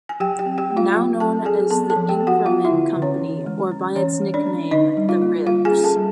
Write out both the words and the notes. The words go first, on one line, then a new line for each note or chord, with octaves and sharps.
Now known as the Inkerman Company, or by its nickname "The Ribs".
G#5
F#3 G4 G5
G4 G5
C4
G4 G5
A3
F4 F5
F#3
C4 A4 A5
F#3 G#4 G#5
B3 A4 A5
A4 A5
F3
G4 G5
B3
F#4 F#5
B3 F4 F5
E4 E5
D3
D3
C#4 C#5
E3
G#3
C#4
E3 C#4 C#5
G#3
D4 D5
C#4
D3 D#4 D#5
G3
F4 F5
A#3
G3 F4 F5
G#4 G#5
C#4
A4 A5
G3